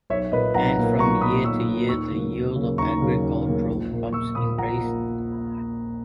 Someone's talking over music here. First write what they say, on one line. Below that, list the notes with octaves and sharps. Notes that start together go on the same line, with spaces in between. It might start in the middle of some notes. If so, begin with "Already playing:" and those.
And from year to year the yield of agricultural crops increased.
B1 C#5 E5
A#2 A#3 B4 D#5
B1 F#5 A#5
A#2 A#3
B1 A#5 C#6
A#2 A#3 B5 D#6
B1 C#6 E6
A#2 A#3
D#2 C#6 E6
C#3 F#3 A#3
D#2
C#3 F#3 A#3
D#2 A#5 C#6
C#3 F#3 A#3
D#2
C#3 F#3 A#3
A#1
A#2 A#3
A#1 C#6 E6
A#2 A#3 B5 D#6
A#1 F#5 A#5
A#3